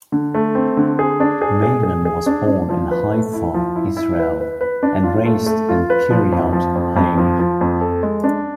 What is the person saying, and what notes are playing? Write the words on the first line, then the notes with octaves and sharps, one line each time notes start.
Maimon was born in Haifa, Israel, and raised in Kiryat Haim.
D3
A3
C4
D3
G#4
D4
G#4
G#4
G#4
G#4
D4
D4
F3
B4
A3
E4
F3
E4
E4
B4
B4
B4
D4
F4
A3
A3
F4
B4
F3
F2
F3
F2
F2
F3
F3
F2
A4
G#3
D4